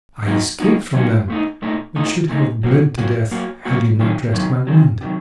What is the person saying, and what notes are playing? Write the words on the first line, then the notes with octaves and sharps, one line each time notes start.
I escaped from them, but should have bled to death had you not dressed my wound.
C3 F#3 A#3 D#4 F#4
C3 F#3 A#3 D#4 F#4
C3 F#3 A#3 D#4 F#4
A#2 A3 D#4
A#2 A3 D#4
A#2 A3 D#4
A#2 A3 D#4
F#3 A#3 F#4
F#3 A#3 F#4
F#3 A#3 F#4
F#3 A#3 F#4
C3 D#3 F#3
C3 D#3 F#3
C3 D#3 F#3
C3 D#3 F#3